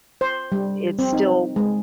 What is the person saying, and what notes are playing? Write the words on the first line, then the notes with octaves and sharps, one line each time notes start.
it's still
C5
G3
C4
D#4
G#3